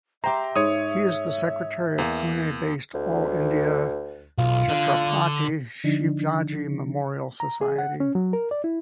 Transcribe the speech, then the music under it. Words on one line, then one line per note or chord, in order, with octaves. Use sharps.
He is the secretary of Pune based All India Chhatrapati Shivaji Memorial Society.
G4 C5 E5 G5 A#5
G#2 C#5 D#6
E2 A#3
D2
B1 F4
D3
D3 F3 D4 D#4
A#5
G#4
F#5
C#4
F#3
A#4
D5
E4